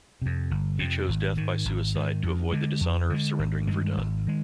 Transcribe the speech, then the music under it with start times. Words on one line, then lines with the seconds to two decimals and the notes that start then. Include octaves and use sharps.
He chose death by suicide to avoid the dishonor of surrendering Verdun.
0.22 F2 C3
0.51 G1
0.79 F2 C3
1.08 G#1
1.37 G#2 D#3
1.65 G#1
1.94 G#2 D#3
2.23 F2
2.52 D3 G#3
2.81 F2
3.10 D3 G#3
3.39 G#1
3.67 G2 D#3 G#3
3.97 G#1
4.27 D#3 G#3